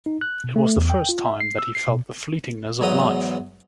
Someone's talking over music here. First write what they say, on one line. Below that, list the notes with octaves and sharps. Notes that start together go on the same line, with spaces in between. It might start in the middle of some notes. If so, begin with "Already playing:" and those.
It was the first time that he felt the fleetingness of life.
D#4
F#6
B2
A3
E2
G5
F4
E5
C7
E6
C7
B2
E2 G#2 F#3 B3 D#5 A#5